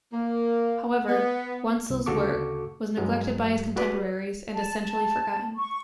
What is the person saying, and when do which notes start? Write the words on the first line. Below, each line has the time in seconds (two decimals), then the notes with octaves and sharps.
However, Wantzel's work was neglected by his contemporaries and essentially forgotten.
0.13 A#3
1.08 B3
1.90 C2
2.06 D2 C#3 F#4 A4 C#6 D6
2.97 G2 F#3 G#3
3.76 F#4 G#4 B4 D5 B5
4.54 A5
4.79 A5
5.57 C#6